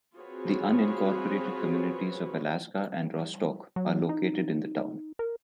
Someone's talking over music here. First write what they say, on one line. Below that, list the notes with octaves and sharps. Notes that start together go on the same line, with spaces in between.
The unincorporated communities of Alaska and Rostok are located in the town.
C4 F4 F#4 G#4 B4 C#5
F#3
D#4
A#4